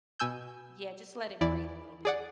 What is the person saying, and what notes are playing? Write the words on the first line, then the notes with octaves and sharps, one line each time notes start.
Yeah, just let it breathe a little bit.
B2 G#5 E6 G6
E2 E3 E4 D5
G#4 D5 F#5